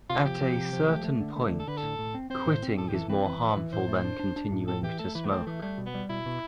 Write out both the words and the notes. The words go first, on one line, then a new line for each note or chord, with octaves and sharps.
At a certain point, quitting is more harmful than continuing to smoke.
C3 F4
F3 G4
F3
C3
F3
A3
A3
D3
A3
D3
A4
D3 B4
A4
A2
A2
C4
C4 C5
A2
C4
A2 A4
G4
E3 A4
C4 B4
E3 B4
A2
E3
A2 C5
A3
D4
D4
D4
A2
C4 A4
E3 G4
A3 A4
E3 B4
B3
A3 C4
E3 A3
G3 A3
B2
B3
G3
B2 E4
B2